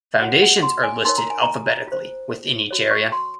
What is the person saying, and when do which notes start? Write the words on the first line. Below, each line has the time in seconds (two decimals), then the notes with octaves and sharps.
Foundations are listed alphabetically within each area.
0.21 F#4 C#5 F#5
0.42 F#5
0.63 C6
0.83 G#5
1.05 D#4 A#4 C#5 C6
1.17 A#5
1.30 G#5
1.42 A#5
1.88 F4 C5
2.71 F#4 C#5
2.91 C#6
3.12 C6